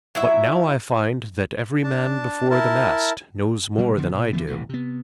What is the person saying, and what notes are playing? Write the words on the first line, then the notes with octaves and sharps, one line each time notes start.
But now I find that every man before the mast knows more than I do.
F#3 E4 E5
D4 A5
E4 A#4 A5
B2 G3
D3 F3 B3
B2
D3 E3 A3 B3
D#1 A1 C3 E3
C3 B3